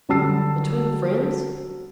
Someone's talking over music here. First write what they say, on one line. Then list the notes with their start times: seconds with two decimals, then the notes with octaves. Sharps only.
Between friends?
0.09 D3 F#3 G3 A5 E6 C7